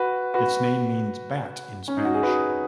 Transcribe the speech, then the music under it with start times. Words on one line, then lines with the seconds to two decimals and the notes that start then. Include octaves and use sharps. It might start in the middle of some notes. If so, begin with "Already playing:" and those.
Its name means bat in Spanish.
Already playing: F#4 B4
0.34 F#4 B4
1.88 C#4
1.97 D#4
2.05 F#4
2.14 G#4
2.23 F#4 B4